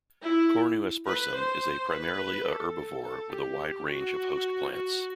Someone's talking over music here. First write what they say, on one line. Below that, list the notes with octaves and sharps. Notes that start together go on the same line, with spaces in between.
"Cornu aspersum" is a primarily a herbivore with a wide range of host plants.
E4
B4
C5
B4
A4
A4
G4
F#4
F#4